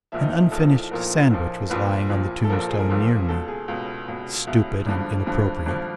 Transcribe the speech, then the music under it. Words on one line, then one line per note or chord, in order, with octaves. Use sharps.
An unfinished sandwich was lying on the tombstone near me; stupid and inappropriate.
A#1 A#2 F3 E4
D#4
E4
A#1 A#2 F3 A4
A#1 A#2 F3 A#4
A#1 A#2 F3
A#1 A#2 F3 B4
A#1 A#2 F3
A4
A#1 A#2 F3 A#4
A4
G#4
A#4
A#1 A#2 F3
C#2 B2 A4
G#4
C#2 B2
C#2 B2
C#2 B2 E4
G#1 G2 D3 F3
G#1 G2 D3 F3
G#1 G2 D3 F3